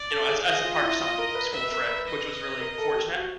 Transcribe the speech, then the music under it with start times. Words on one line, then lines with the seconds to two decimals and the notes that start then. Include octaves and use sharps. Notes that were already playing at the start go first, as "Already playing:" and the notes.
you know, as as a part of some school trip, which was really fortunate,
Already playing: D5
0.11 A4
0.29 G#4
0.46 G#4 D#5
0.64 F4
0.82 E4
1.00 F4
1.18 A#4
1.35 B4
1.53 B4 E5
1.71 A#4
1.89 B4
2.07 D#5
2.60 A#4
2.78 A4
2.95 G4
3.13 F#4